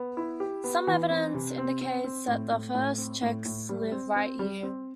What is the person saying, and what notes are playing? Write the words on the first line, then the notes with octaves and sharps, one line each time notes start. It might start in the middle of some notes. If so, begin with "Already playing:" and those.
Some evidence indicates that the first Czechs lived right here.
Already playing: B3
E4
G4
B3
E3
C4
C3
C4
C4
C4
A2
A2
A2
C4
A2
A2
G3
C4
C4
G3
C4